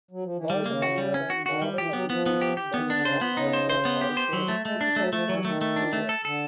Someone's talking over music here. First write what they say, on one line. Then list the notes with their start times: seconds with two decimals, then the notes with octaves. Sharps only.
World Hunger and Moral Obligation by John Arthur also criticizes Singer.
0.11 F#3
0.24 F3
0.37 E3
0.50 D#3 G3
0.66 C#3 A#3
0.82 F#4
0.98 G3
1.14 C#4
1.30 F#4
1.46 D#3 F#4
1.62 G3
1.78 E3 G4
1.93 F#3 B3
2.10 F3 B3
2.26 B3
2.41 G4
2.57 G4
2.74 E3 B3
2.84 D#3
2.90 D3 D4
3.05 C#3 C5
3.21 B3
3.37 C#3 D#4
3.53 C5
3.70 C5
3.85 B3
4.01 G4
4.17 C5
4.33 D#3 F#3
4.44 E3
4.48 A3
4.65 G#3 A3
4.81 D4
4.96 F#3 A3
5.13 F3 A3
5.29 E3 F#3
5.45 D#3 A3
5.61 A3
5.76 D4
5.93 A3
6.09 A4
6.25 D3 A4